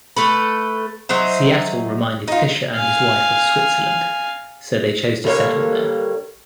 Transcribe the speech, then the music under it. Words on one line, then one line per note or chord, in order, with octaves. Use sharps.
Seattle reminded Fischer and his wife of Switzerland so they chose to settle there.
A3 A4 B4
F#3 D#4 C5 E5
D#4 F4
F5 G#5
D3 G3 A#3 C#5